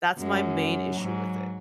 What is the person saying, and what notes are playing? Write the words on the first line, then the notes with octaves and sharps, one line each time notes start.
That's my main issue with it.
F#2 G#3
F#3
G#2